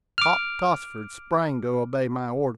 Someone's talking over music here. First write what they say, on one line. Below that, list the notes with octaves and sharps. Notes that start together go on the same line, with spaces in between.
Hop Tossford sprang to obey my order.
D6 F6